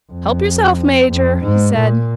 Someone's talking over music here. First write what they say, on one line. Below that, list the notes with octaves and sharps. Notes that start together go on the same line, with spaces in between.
"Help yourself, Major," he said.
F2
F2
G#2
A#2